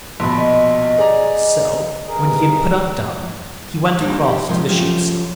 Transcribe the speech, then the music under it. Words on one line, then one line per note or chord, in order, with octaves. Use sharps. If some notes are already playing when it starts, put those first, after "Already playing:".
So when he had put up Dobbin, he went across to the sheep- stall.
A#1 B2 B5 C6
D#5
G#4 D5 A#5
G2 D#4 G#4 A#4
G3 A#3 D4 D#4
G4
C3 F3 G#3 C#4 A#4 C5
F3 F#3 A3 C#4 F4 G4